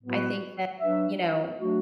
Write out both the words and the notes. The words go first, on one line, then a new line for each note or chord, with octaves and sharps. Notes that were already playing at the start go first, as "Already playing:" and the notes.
I think that, you know,
A2 F#3 B3 F#4 B4
F#3 D4 B4 E5
F#3 A3 D4 F#4